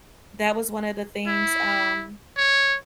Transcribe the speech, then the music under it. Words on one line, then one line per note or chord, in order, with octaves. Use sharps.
that was one of the things, um,
E4
C#5